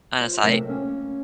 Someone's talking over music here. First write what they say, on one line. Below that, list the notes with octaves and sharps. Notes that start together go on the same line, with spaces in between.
on a site.
F4 C5
C3 F#3 A3 D4 A#4 E5
A#3 C#4